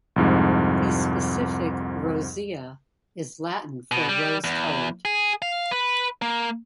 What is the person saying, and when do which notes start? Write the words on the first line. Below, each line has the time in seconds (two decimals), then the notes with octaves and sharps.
The specific "rosea" is Latin for "rose-coloured".
0.16 C2 F2 G#2
3.92 B2
4.09 G3
4.44 E2
5.05 G#4
5.42 F5
5.71 B4
6.22 A#3